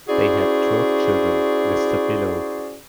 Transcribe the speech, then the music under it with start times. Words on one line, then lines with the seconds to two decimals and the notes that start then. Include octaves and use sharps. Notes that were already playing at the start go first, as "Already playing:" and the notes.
They had twelve children, listed below.
0.08 C#4 E4 F#4 G#4 C5 D5